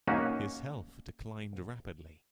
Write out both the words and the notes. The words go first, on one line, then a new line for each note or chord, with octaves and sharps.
His health declined rapidly.
A#3 C#4 D#4 F#4